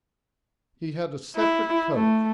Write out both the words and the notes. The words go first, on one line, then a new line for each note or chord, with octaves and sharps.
He had a separate coach.
E4
A3